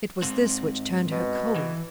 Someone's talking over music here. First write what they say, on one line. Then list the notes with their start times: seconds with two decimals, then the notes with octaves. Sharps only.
It was this which turned her cold.
0.22 G#2 C4
1.11 B2
1.56 E3